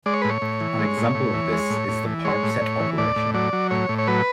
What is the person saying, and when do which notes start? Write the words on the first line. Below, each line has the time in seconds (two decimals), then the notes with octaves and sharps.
An example of this is the power set operation.
0.06 G#3 D5
0.13 C#5
0.22 A2 B4
0.30 C#5
0.42 A2
0.61 E3
0.79 G#3
0.97 A2
1.15 A2
1.34 E3
1.52 G#3
1.70 A2
1.88 A2
2.06 E3
2.25 G#3 C#5
2.43 A2
2.61 A2
2.80 E3
2.98 A2 D5
3.16 A2
3.34 F#3 D5
3.53 F#3
3.70 A2 C#5
3.89 A2
3.99 C#5
4.07 F#3 B4